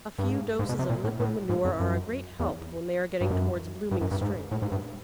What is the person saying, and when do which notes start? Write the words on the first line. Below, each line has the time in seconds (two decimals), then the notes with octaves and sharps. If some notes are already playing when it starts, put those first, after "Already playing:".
A few doses of liquid manure are a great help when they are getting towards blooming strength.
0.18 G2
0.29 G#2
0.59 G#2
0.69 B2
0.79 C3
0.89 A#2
1.04 A2
1.20 A2
1.49 G#2
1.65 F2
1.80 F#2
2.40 E2
3.21 G2
3.31 F#2
3.91 G2
4.01 F#2
4.11 G2
4.21 G#2
4.51 A2
4.62 G#2
4.72 G2